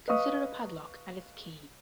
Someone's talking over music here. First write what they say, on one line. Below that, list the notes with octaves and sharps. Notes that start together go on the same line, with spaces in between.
Consider a padlock and its key.
B4 D#5 F5 C#6 D#6